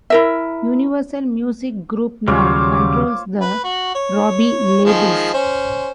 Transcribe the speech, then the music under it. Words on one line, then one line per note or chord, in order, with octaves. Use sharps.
Universal Music Group now controls the Robey labels.
E4 A#4 E5
D#2 C#3 F#3 G3 F4 C5 C#5 D6
B4
F#4
C#5
D#3 F3 G#3
C#4 C5